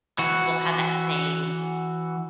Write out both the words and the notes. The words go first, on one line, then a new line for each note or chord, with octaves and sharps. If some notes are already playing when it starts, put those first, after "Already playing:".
will have that same
E3 F#4